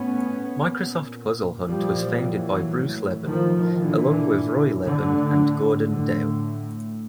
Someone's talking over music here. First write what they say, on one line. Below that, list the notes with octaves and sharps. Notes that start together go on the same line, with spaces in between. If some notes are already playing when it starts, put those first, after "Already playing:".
Microsoft Puzzlehunt was founded by Bruce Leban, along with Roy Leban and Gordon Dow.
Already playing: A2 B3 C#4
A#2
A#2 F3 G3
E3 F#3
A2
D#3 F3
A#2 D3 E3
A2 D3
A2 D3